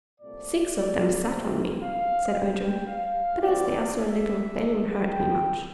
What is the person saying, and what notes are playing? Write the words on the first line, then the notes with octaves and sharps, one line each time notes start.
"Six of them sat on me," said Ojo, "but as they are so little they didn't hurt me much."
C2 A#2 A3 C4 D5
D5
C3 F3 A#3
F5
A2 F3 C4 G5
F5
G2 E3 A3 C4 D5
E5
E2 D3 A3 D4
G5